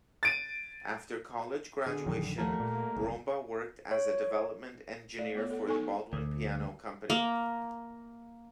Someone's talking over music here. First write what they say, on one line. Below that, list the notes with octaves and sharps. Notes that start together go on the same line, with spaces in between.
After college graduation, Brombaugh worked as a development engineer for the Baldwin Piano Company.
A6 D7 D#7
D3 G#4
A#1 F#2 D#3
D#2 F3 G3 A3 A#4 F#5
A#2 A#3
F#1 C2
C#5
A3 D5
B3 F4 C#5
A4 F#5
B3 D#4 A4 G#5 C#6
D2
A#3